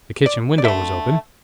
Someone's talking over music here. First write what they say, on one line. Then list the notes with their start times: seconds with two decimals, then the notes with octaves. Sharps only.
The kitchen window was open.
0.26 D5
0.58 D5
0.64 D3 A3 E5